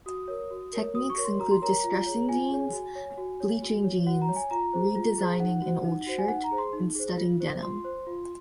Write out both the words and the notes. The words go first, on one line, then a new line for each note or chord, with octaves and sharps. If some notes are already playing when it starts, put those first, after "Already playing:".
Techniques include distressing jeans, bleaching jeans, redesigning an old shirt, and studding denim.
F#4 D#6
A#4 C#5
F#4
A#4 C#5
F#4 D#6
C#6
A#4 C#5
C6
F#4 A#5
C6
A#4 C#5 A#5
F4
G#4 C#5
F4 G#5
G#4 C#5
F#4
C#5
F#4
C#5
F#4
C#5
F#4 F#5
A#5
C#5
G#5
F4 A#5
G#4 C5
F4
G#4 C5
D#4 F#5
F#4 C5
D#4
F#4 C5
G#5
D#4 F#5
A#5
G#4 C5
C6
D#4
G#4 C5
F4
C5
F4 C6
C5
F4